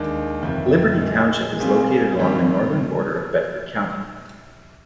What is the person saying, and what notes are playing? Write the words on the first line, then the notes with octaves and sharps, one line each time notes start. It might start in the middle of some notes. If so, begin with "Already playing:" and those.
Liberty Township is located along the northern border of Bedford County.
Already playing: D#2 D#3 G#3 D4
G1 F2 C3 D#3
A#1 A#2 G#3
A#2 G3 C4 F4 G#4
G2 D#3 G3 C4